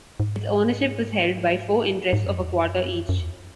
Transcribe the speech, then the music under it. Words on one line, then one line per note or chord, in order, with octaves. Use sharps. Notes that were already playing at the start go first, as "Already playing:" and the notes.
Its ownership was held by four interests of a quarter each.
G#2
G#2
F#2
E2
F#2
F#2
E2